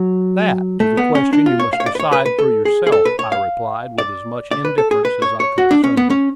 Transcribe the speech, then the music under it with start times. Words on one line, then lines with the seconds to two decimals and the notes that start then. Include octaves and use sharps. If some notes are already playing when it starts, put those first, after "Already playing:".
"That is a question you must decide for yourself," I replied, with as much indifference as I could assume.
Already playing: F#3
0.80 A3
0.97 B3
1.15 C#4
1.33 D4
1.46 F4
1.60 C#5
1.73 F5
1.80 C#5
1.86 D5
1.95 B4
2.00 C#5
2.12 B4
2.26 B4
2.39 A4
2.65 G#4
2.87 G#4
2.92 A4
3.05 B4
3.19 C#5
3.32 F5
3.98 D5
4.51 D5
4.65 B4
4.78 A4
4.91 G#4
5.05 B4
5.22 C#5
5.40 C#5
5.58 F#4
5.71 D4
5.84 C#4
5.97 B3
6.10 C#4